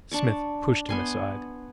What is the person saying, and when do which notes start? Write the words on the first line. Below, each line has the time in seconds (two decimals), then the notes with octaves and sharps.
Smith pushed him aside.
0.12 D4 C#6 D6
0.89 B3 G#5 C6